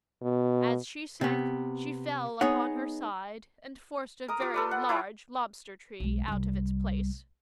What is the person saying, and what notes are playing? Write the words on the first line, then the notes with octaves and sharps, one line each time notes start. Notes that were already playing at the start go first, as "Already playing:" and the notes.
As she sank she fell upon her side, and forced a very large lobster-tree out of its place.
B2
C3 B3
B3 D#4 G#4 C#5 F#5
A#4 A#5 D#6
F4 G4
A4 B4 D5
F#5
E4 F4 C#5 G5
B1 G#3
C2 G3